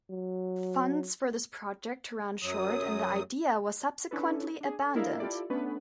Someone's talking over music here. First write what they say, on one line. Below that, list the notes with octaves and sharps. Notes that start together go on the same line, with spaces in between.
Funds for this project ran short and the idea was subsequently abandoned.
F#3
F#2 F#3 D#6
C#4 D4 E4 A4 B4
D4 G#4
A4
A#3 D4 E4 A#4 D#5 F5
E4 F4 G4 A4 D5
A3 B3 C#4 D4 B4